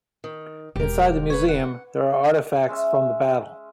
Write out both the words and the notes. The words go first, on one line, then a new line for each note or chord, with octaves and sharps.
Inside the museum there are artifacts from the battle.
D#3
E1 G4 A#4
B4 C#5
F#5
G#3 C#4 E5